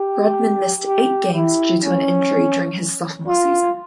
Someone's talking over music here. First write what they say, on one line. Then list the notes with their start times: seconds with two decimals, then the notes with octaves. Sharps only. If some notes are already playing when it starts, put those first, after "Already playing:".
Rodman missed eight games due to an injury during his sophomore season.
Already playing: G4
0.86 G4
1.34 E4
1.83 C#4
3.27 F4